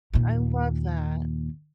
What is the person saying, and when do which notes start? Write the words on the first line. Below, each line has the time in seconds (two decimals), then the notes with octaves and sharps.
I love that.
0.14 D#2 A#2